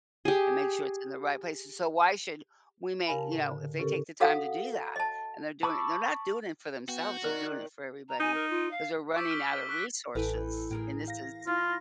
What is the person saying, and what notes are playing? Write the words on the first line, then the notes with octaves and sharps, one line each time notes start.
and make sure it's in the right place. S so why should we make, you know, if they take the time to do that, and they're doing it and they're not doing it for themselves, they're doing it for everybody 'cause they're running out of resources and this is
G4 G#4
C#3 G4 A#4 F5 G#5 B5
A5
A2
D3
C#3 C#4 G4 A4 A#4
F#4 A4 F5 F#5 D#6
D#5 A5
A5 B5 C#6 D6 E6
B3 F#4 G5
D#3 A#4 D5 F#6
A#5
D#4 G#5
A#4
F4
F5
C#6 D6 E6 G6 B6 D7
F6 B6 G7
C#6 F#6 B6 D7
A1 E3 A4 B4 G5
A2 G#4 A#4 G5
F5 A#6
E4 F4